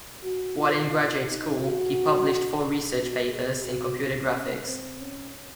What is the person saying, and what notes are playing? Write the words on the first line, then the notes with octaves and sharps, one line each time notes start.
While in graduate school he published four research papers in computer graphics.
F#4
F4
F4
D#4
F#4
G#4
F#4
G#4
F#4
C#4
C4
C#4